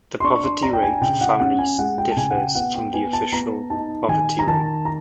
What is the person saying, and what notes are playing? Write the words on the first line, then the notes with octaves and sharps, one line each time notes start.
The poverty rate for families differs from the official poverty rate.
C6
D4 C#6
C6
D4 A#5
G5
G#5
G#5
C#3 G5
F#5
C#4 F#5
G#5
G#3 F#5
G5
A5
C#3 G#5
F#5
G5
B3 F#5
G5
B3 G#5
A5
B3 A#5
D#4 A5
D#3 G#5
A#5
D#3 A5
A#5